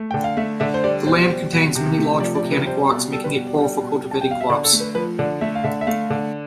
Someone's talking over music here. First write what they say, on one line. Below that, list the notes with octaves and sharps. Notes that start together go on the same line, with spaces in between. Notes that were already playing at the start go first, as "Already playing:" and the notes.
The land contains many large volcanic rocks making it poor for cultivating crops.
Already playing: A3
D3 G5
F5
A3 E5
D3 E5
C5
G3 D5
B2 C5
G3
B2
C3
A3
F3 D5
D5
C3
B4
G3 C5
B2 A4
G3 A4
B4
B2
D5
G3
B2
G3
A5
G5
B2 F5
E5
D3 D5
A4
A3
B4
F3 B4
D3 D5
A3 E5
F5
D3 E5
E5
A3 F5
D3